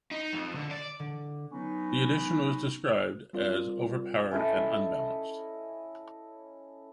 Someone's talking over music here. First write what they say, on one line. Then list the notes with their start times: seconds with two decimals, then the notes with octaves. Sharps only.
The addition was described as "overpowered and unbalanced".
0.11 D#4
0.33 F2
0.55 D3
0.71 D5
0.99 D3
1.52 F#3 B3 C#4 D#4
3.33 G3 C4 F4 A#4 D5
4.31 C#4 E4 A4 D#5